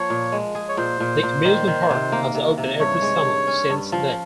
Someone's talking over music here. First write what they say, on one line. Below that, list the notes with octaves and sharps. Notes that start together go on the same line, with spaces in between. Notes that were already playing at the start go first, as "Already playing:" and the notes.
The amusement park has opened every summer since then.
Already playing: F3 A#3 C#5
A#2
G#3
G#4
C#5
A#2 C5
A#2
A#2
D#3
D#3
C3
A#3
C3
C3
G2 C#5
G#3
G2
C#4
G2
F3